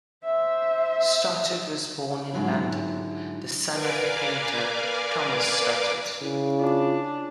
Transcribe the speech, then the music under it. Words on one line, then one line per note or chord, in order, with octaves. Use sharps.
Stothard was born in London, the son of the painter, Thomas Stothard.
C5 E5
G#2 D3 F#3 E4
A#4 B4 D5 F5 G#5 D6
C#3 E4
D4 F4